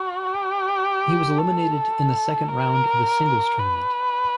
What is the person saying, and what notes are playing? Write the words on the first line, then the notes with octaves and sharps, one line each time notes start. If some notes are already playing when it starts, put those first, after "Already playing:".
He was eliminated in the second round of the singles tournament.
Already playing: F#4
G4
A4
A#4
B4